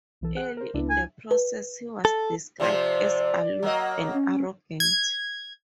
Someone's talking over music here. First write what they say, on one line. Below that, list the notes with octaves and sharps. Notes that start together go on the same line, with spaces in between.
Early in the process he was described as aloof and arrogant.
B1 E3 A4
G#4 F#5 F#6
A#4 C5
C#2 D4 E4
G#5
B4
A4
C3 F3 C5 D5
F#3 A#3 D#5
C#4
G#6